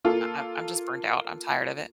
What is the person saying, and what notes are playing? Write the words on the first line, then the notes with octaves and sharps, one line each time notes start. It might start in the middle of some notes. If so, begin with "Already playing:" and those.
I I'm just burned out. I'm tired of it."
A#3 F4 A4